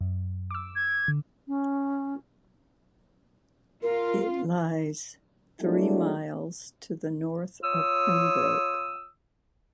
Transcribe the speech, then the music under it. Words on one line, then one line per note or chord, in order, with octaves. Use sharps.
It lies three miles to the north of Pembroke.
F#2
D6 E6
G#6
D3
C#4
F4 A#4
F#3 G#3 A3 B3 D4 E4
F4 C#5 D#6 E6